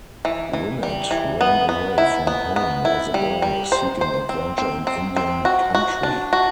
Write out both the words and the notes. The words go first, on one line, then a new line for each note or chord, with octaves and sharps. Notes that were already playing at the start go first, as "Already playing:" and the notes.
Winnett ran away from home as a boy, seeking adventure in Indian country.
E3
E3
G3
E3
B3
B3
E4
B3
B3
E4
G3
G3
C5
C5
C4
C4
C4
C4
F#4
F#4
D4
F#4